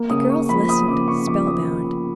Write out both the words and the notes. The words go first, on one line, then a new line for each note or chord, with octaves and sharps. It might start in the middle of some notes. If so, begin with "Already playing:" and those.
The girls listened, spellbound.
Already playing: A#3
C#3 D#6
C#3 C#6
F3 B5
A#3 D#6
C#3 D6
C#3 C#6
F3 D6
A#3 D#6